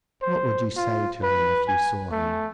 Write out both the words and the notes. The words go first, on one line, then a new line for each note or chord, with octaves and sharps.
"What would you say to him if you saw him?"
C5
F4
B4
G#5
A3